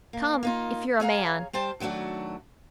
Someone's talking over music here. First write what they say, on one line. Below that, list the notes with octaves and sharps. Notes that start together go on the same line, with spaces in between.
"Come--if you're a man!"
A#3
A#3 D#4 F4
G#4 C#5 F5 A#5
G3 C5 G5 A5
D#3 F#3 A3 D4 F#4